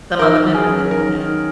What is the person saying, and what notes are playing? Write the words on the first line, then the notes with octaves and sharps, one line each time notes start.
some other memory that you have?
D#3 A#4
F#3
G#4
C#4
D#3 A#4
D#3